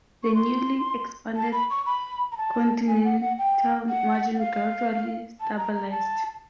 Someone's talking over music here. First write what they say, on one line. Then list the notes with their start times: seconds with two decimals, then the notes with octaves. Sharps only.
The newly expanded continental margin gradually stabilized.
0.23 C#6
0.34 C6
1.36 A5
1.52 B5
1.70 C#6
1.86 B5
2.32 A#5
2.37 A5
2.88 G#5
3.04 F#5
3.21 F#5
3.38 G5
3.88 F#5
4.34 F#5
4.39 F5
5.40 A5
5.57 A#5
5.74 A#5
5.91 A5